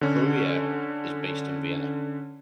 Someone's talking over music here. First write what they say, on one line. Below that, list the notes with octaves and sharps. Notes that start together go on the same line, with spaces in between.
"Kurier" is based in Vienna.
D3 C#4